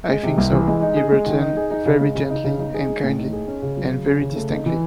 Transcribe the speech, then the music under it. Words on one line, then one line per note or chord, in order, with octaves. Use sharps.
"I think so," he returned very gently, and kindly, and very distinctly.
G#3
C3
C2
E3
G#3
D#4
G#4
G#3
D#3
D#4
G#4
D#4
C#3
G#3
C#3
D#4
C#3
D#4
G#4
G#3
A2
D#4
G#4
C#4
C#3
F#3
C#3
C#4
C#3
A3
D#4
E3